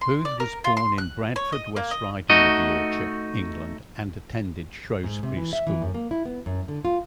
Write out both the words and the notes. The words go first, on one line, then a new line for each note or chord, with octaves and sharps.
Booth was born in Bradford, West Riding of Yorkshire, England and attended Shrewsbury School.
C6
D5
A#4
F4
C6
F#6
C#5
D#5
A#3
D#5
A3 D#4 F#4 D#5
G#2
C3
E3
E5
E3
F#2
A#3
E4
B3
F#2
D3
F4